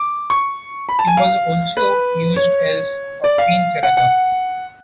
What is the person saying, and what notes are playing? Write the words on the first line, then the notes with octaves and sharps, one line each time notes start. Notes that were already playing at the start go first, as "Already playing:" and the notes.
He was also used as a pinch-runner.
Already playing: D6
C#6
B5
A5
G#5
F5
B4
C#5
D5
F5
F#5
F#5